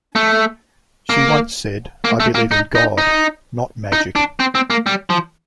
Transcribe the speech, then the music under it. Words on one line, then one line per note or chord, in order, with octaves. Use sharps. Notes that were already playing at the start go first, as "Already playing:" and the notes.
She once said, I believe in God, not magic.
A3
A#3
A#3
A3
A#3
D#4
D#4
D#4
D#4
D4
C4
C4
A#3
G3
F3